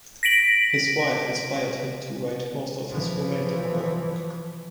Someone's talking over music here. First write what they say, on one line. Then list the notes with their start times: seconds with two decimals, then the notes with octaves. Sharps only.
His wife inspired him to write most of his romantic work.
0.23 A#6 B6 D7 F#7
2.90 E3 F3